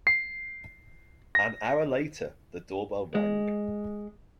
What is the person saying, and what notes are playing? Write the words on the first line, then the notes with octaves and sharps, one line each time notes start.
An hour later, the doorbell rang.
C7
A#6
G#3